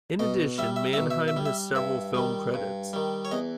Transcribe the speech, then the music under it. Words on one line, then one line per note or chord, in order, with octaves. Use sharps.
In addition, Manheim has several film credits.
B2 D#5
G3 E5
E5
E5
B2
E5
E5
G3
E5
G2 E5
D#3 G3
G2
D#3 G3
C#5
E2 D#5